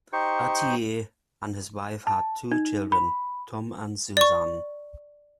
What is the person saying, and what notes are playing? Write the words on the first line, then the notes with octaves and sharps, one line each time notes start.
Atiyeh and his wife had two children, Tom and Suzanne.
D#4 G4 C5 C#6
A5
D#4
B5
D5 C#6